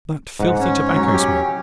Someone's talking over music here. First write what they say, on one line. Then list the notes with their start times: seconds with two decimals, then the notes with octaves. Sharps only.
That filthy tobacco-smoke!
0.39 G#2 F#5
0.59 C#4
0.96 F#3
1.15 G4